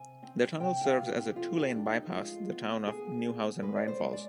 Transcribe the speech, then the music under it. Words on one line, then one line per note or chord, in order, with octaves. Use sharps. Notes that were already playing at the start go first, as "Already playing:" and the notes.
The tunnel serves as a two-lane bypass the town of Neuhausen Rhine Falls.
Already playing: C3 G#5
C4
C3 G5
G5
F5
B3
G4
F4
G4
F2 F4
G#4
G4
F2 D4
D#4
D#4
G#3 F4
B3
B3 G#4
B3
G#3 B4
D5
C5
G#3
D5